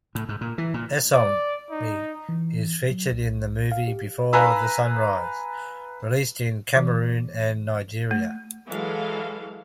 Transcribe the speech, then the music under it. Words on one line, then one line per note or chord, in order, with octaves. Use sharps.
Essome is featured in the movie "Before the Sunrise", released in Cameroon and Nigeria.
A2
G#2
A#2
E3
A#2
D5
D#4
E3
F#3
B1
F5
G4
B4 F5 G#5 A#5 B5 E6
E3
A3
E3 F#3 G#3 A4 F5